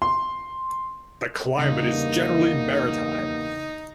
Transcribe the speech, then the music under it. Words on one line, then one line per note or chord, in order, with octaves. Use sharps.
The climate is generally maritime.
C6
E2 G2 C#3 A#3 D#4